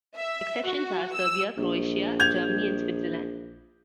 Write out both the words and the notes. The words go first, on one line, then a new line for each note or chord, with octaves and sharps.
Exceptions are Serbia, Croatia, Germany and Switzerland.
E5
F#4
E6
A#1
G6 G#6 F7